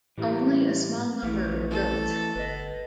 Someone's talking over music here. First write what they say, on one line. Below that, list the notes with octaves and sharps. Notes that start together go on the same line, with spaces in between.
Only a small number were built.
A2 E3 G3 A3
A#1 E3 A3 B3
A4
G1 B4 D#5